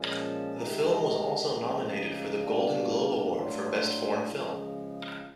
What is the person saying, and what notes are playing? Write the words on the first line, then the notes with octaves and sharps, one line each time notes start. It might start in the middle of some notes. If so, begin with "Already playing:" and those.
The film was also nominated for the Golden Globe Award for Best Foreign Film.
Already playing: A#2 F3 G#3 C#4
A5
C3 D#3 G#3 A#5
C#3 F3 G#3
B2 G3 A#3 D4
A2 F#3 A3 D4 F4
C#3 F3 G#3